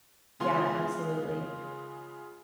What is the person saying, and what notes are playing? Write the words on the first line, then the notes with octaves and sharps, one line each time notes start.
Yeah, absolutely.
C#3 G#3 B3 F4 C6